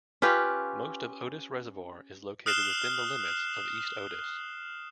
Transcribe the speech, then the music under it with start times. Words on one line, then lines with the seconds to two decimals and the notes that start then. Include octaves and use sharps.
Most of Otis Reservoir is located within the limits of East Otis.
0.22 C#4 F4 G4 B4
2.46 D#6 F6 F#6 C7 E7 G7